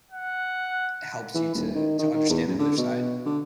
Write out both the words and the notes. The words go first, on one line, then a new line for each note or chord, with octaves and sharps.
helps you to to understand another side,
F#5
E3
D#1
D#3
D#3
D#3
E2
F#2
D3
B2
D3